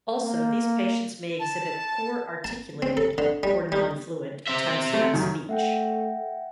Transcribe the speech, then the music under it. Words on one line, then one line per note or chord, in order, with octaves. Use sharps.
Also, these patients may exhibit poor articulated, or non fluent, attempts at speech.
A#3
A5
A5
C4
A4
D3
G3
G3
C4 E5
A3
F#2 D#3
A3 E5 F#5 G5